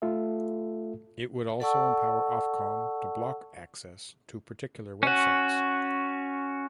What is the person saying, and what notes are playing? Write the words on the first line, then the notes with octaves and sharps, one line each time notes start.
It would also empower Ofcom to block access to particular websites.
A3 F4 A4 E5
A4 D5 F#5 A5 C#6 E6
C#4 F#4